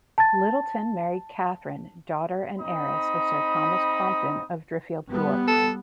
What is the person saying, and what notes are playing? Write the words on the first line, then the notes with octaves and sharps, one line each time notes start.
Lyttelton married Catherine, daughter and heiress of Sir Thomas Crompton, of Driffield, Yorks.
A5 A6
C4 D#4 B5 D#6
G3 B3
A4